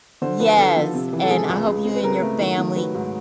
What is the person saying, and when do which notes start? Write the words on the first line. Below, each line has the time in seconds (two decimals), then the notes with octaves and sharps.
Yes, and I hope you and your family
0.22 D3 C5
0.39 F3 B4
0.58 D3 A4
0.77 F3
0.94 C3
1.13 E3
1.23 A4
1.30 G#3 G#4
1.49 C#2
1.67 C#3
1.85 C4
1.95 B4
2.03 C#3 A#4
2.22 A3
2.40 D#3
2.58 D#3
2.76 F#3 B4
2.94 G#2